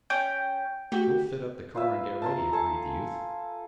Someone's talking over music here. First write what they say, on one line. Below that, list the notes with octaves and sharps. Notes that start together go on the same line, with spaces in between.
"We'll fit up the car and get ready," agreed the 'youth.
C#4 G5
A3 F#4 G4
F4 B4 E5
A5 A#5 C6
A4 G#5 A5 C6